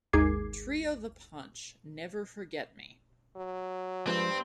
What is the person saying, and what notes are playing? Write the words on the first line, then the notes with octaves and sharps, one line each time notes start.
Trio The Punch - Never Forget Me...
G#1 D#2 G#4 D6 G#6 C7
F#3
G2 F3 G#3 C4 B4